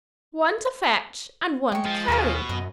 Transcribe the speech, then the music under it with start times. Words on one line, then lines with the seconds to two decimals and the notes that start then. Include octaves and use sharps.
One to fetch, and one to carry.'
1.72 G#3 G5 C#6
1.86 F3
2.08 D#2 B2 F4 G#4 F5
2.49 F#2 D#5